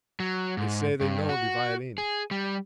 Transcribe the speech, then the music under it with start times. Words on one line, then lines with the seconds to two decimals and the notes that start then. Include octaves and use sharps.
They say they know the violin.
0.20 F#3
0.57 G#2
1.01 G2
1.29 F#4
1.98 G#4
2.31 G3